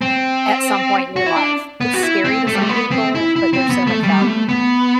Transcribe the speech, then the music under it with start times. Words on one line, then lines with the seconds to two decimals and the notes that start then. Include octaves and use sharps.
at some point in your life. It's scary to some people, but there's so much value in it.
0.01 C4
1.16 F#4
1.26 E4
1.36 D4
1.81 B3
1.94 F#4
2.03 E4
2.25 C4
2.47 A3
2.55 G3
2.61 A3
2.69 B3
2.91 C4
3.15 E4
3.36 E4
3.53 C4
3.70 B3
3.87 A3
4.03 G3
4.21 B3
4.27 A3
4.49 B3